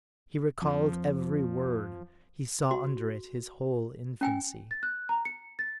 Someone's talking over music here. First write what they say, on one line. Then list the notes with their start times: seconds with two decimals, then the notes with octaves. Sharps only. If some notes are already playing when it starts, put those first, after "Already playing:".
He recalled every word, he saw under it his whole infancy.
0.62 F2 F3
2.71 F#4 C6
4.21 C#4 G5 G#5
4.71 A6
4.83 F#6
5.09 A#5
5.25 C#7
5.59 A6